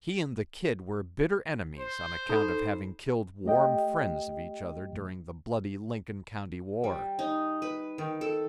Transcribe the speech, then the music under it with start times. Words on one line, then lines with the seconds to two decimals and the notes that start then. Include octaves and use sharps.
He and the "Kid" were bitter enemies on account of having killed warm friends of each other during the bloody Lincoln County war.
1.80 C5
2.29 D#4 A4 B5
3.45 A3 G4 D#5 G5
6.84 G3
7.19 D#4
7.62 B4
7.98 D#3
8.21 A4